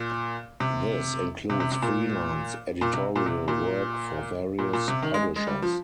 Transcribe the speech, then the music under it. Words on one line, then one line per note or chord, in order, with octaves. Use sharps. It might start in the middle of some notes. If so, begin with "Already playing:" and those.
This includes freelance editorial work for various publishers.
Already playing: A#2
C3
C3
C3
C3
A#2
A#2
C3
A#2
C3
A#2
A#2
A#2
C3
D#3
G#3
G#3
G3
F3